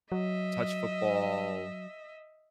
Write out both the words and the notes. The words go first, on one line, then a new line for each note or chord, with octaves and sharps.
touch football,
F#3 D#5 E5